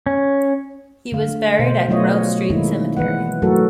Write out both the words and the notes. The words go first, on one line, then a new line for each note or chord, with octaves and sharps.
He was buried at Grove Street Cemetery.
C#4
D3 A3 F5
B2 C5
F#3 A3 B3 F4 C#5 D#5
D#3 G#3 A#3 D#4 E4
E3 B4 F#5
F#3 A3 F#4 A4 A#4